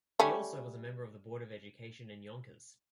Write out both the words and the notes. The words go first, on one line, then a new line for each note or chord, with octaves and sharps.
He also was a member of the Board of Education in Yonkers.
G3 A3 C#4